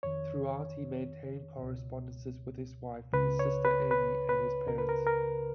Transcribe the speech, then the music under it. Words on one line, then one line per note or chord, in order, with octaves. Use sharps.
Throughout, he maintained correspondences with his wife, his sister Amy, and his parents.
F2 D#3 C#5
C#2 B2
C#2 C#3 B4
C#5
B4
B4
B4
C#2 C#3 A#4
B4
A#4
A#4